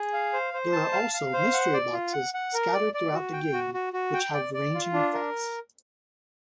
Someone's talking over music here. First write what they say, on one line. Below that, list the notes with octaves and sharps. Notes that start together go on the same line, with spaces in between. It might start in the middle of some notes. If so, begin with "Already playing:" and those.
There are also "mystery boxes" scattered throughout the game, which have ranging effects.
Already playing: G#4
F5
C5
C5
A5
F5
F5
C5
F#5
D5
F4
F#5
F#5
A#4
D5
D5
F#4
G5
F#4
F#4
F#4
G5
D5
D5
F4
D4
A#4